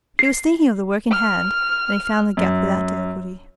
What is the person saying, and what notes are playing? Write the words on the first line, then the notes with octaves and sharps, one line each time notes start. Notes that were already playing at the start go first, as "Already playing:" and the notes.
He was thinking of the work in hand, and he found the gap without difficulty.
C7
F6
F#2